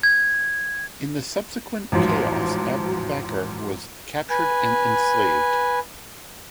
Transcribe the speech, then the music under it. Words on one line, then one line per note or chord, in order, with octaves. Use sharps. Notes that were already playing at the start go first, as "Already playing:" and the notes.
In the subsequent chaos Abu Bakr was captured and enslaved.
G#6
A1 E2 G#2 F3 F#3
B4 G#5